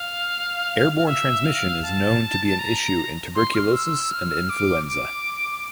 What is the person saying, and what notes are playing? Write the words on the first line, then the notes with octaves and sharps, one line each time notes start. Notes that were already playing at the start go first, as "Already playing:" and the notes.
Airborne transmission is known to be an issue in tuberculosis and influenza.
Already playing: F5
E5
F5
A5
A#5
C6
F6
E6
F6
D6
D6